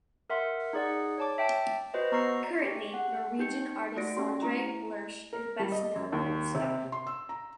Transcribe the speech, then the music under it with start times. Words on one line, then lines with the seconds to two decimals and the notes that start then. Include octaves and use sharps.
Currently Norwegian artist Sondre Lerche is best known for this style.
0.30 A#4 E5 F#5 C6
0.73 D#4 G#4 D5 F#5
1.18 C#5 A5 D6
1.38 E5 G5 A5
1.94 F#4 B4 C5 D#5
2.12 B3 A#5 C#6 E6 C7
2.63 G4 G#4
2.94 F#5
3.39 D#4 G4 G6 C#7
3.97 A3 F#4 D5 A#6 D7
4.17 C#4 G4 C6
4.42 A3 E4 A#5
5.33 A#4
5.59 G3
5.72 D#5
5.96 F#2
6.12 D#2
6.55 C3
6.92 C6
7.07 E6
7.29 A#5